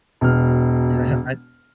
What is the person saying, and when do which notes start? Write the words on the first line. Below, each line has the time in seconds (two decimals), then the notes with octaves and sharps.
Yeah, I
0.21 E1 B2 F6